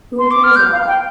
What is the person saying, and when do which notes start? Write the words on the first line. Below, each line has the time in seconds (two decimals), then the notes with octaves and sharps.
Who Cares a Lot?
0.19 C6
0.31 D6
0.44 F6
0.56 G6
0.72 F5
0.88 G5